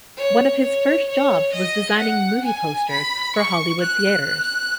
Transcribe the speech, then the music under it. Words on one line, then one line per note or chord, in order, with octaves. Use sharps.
One of his first jobs was designing movie posters for Hollywood theaters.
C#5
C#5
C#5
D#5
F#5
G#5
B5
C#6
F#6